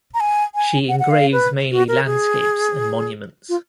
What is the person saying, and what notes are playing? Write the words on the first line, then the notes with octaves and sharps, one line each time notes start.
She engraves mainly landscapes and monuments.
A#5
G#5
G#5
F#5
F#5
F5
B4
F#4
A#4
G#4
F4